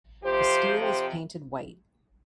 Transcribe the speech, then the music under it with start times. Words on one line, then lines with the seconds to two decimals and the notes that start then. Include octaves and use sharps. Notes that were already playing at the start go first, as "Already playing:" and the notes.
The steel is painted white.
0.23 F2 C3 F3 G4 C5
0.80 G4 C5